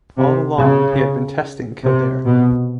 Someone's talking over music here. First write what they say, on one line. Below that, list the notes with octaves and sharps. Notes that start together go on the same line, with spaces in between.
All along, he had been testing Kildare.
C3
C#3
C3
B2